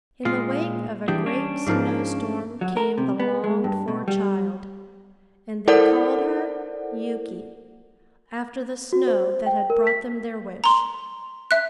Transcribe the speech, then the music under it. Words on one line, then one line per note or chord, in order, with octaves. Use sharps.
In the wake of a great snow-storm came the longed-for child, and they called her Yuki, after the snow that had brought them their wish.
A#2 G#3 F4
E3 G3 D4 G#4 G5
C#4 D4
G#2 F3 A#4
F#3
A#4
C3
B3
G#3
G2
B2
G3
E4 A4 A#4 C5 D5 F#5
F#4
C5
G5
A#4
B6
A#5 C6
E5 F#6